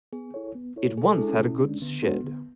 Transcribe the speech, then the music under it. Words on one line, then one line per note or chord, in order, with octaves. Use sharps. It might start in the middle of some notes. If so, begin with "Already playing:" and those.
It once had a goods shed.
B3 G#4
E4 A4 C#5
B3
E4 A4 C#5
B2 G#4
A4
G#4
G#3 D4 E4
C#4
B2 C#4
G#3 D4
D3 B3
G#3 B3 D4 F#4 A4
D3